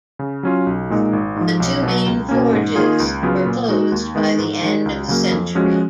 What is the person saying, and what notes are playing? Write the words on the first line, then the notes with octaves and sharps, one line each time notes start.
The two main forges were closed by the end of the century.
C#3
F#3 C#4 F4
B1
A#2 G#3 D#4
G#1
G#2 F3
B1
B2 F#3
C#2
B2 A#3 C#4
G#2
D#3 A#3 F4 G#4
C#2
C#3 F#3 B3 F4
A#2
G#3 D#4 F#4
D#2
D#3 G#3 B3
G#2
D#3 G#3
C#2
C#3 F#3 A#3
F2
F3 G#3 C#4 F#4